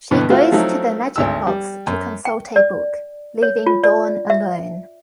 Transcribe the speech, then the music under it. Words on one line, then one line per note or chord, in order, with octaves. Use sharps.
She goes to the Magic Box to consult a book, leaving Dawn alone.
G2 B2 D3 E3 B3
A3 C4 F4 F#4
F3 F#3 A3 C4 D#4 E4
G#1 D2 E6
G3
F#2
G5
D5
C#5
F4
D5
E5